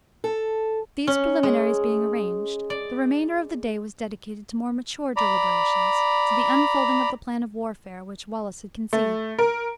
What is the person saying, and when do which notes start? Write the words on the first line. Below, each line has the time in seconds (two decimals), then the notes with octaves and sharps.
These preliminaries being arranged, the remainder of the day was dedicated to more mature deliberations--to the unfolding of the plan of warfare which Wallace had conceived.
0.24 A4
1.07 C#4
1.43 G#3
2.70 D5
5.16 D5 A#5 B5
8.93 A3
9.39 A#4